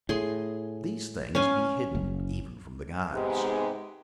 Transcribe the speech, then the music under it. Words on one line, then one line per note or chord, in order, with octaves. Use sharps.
These things be hidden even from the gods.
A2 G#4 C6
C#4 F5 G#5
F#1
G#2 C3 G#3 B3 D#4 G4